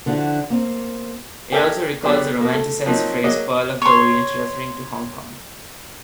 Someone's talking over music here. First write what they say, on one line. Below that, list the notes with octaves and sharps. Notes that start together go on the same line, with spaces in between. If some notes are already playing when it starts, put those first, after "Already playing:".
It also recalls the romanticised phrase "Pearl of the Orient" referring to Hong Kong.
D3 F3 D4 E4 F#4
A#3 C4
G4 A4 A#4 E5 G5 G#5
F#3 B3 G4 G#4 D5
B2 A#3
A3
F3 F#3 A#3 C4 D#4
F#3 A#3 G#4 D#5 D6
C#5 C6